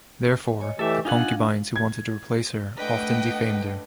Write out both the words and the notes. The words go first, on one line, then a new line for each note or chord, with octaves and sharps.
Therefore, the concubines who wanted to replace her often defamed her.
C#5 D#5 G#5
E3 A3 G4 A4 E5
D4 D#4 F4 F5 F#5 G#5
G#6
A2 D4 B4 D#5 F#5 G5